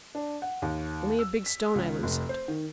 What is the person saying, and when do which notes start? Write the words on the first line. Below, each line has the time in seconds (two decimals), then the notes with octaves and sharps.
Only a big stone I loosened.
0.15 D4
0.42 F#5
0.62 D#2
1.19 E6
1.46 B6
1.75 C#2
2.03 F1
2.29 C5
2.48 D#3